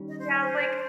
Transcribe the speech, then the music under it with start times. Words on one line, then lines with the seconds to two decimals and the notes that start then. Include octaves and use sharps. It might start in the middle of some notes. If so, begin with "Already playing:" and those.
Yeah, like,
Already playing: D#3 G3 C#4
0.08 D#5
0.19 C5
0.31 C#5
0.42 C5